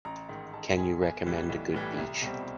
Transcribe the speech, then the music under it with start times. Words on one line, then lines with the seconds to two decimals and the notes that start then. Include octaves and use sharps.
Can you recommend a good beach?
0.05 A1 A#5
0.29 G#2 D#3
0.53 A1 A5
0.77 G#2 D#3 G#5
1.01 B1 G#5
1.26 A2 E3 G3
1.49 B1
1.74 A2 E3 G3
1.98 C2
2.22 B2 G3 C4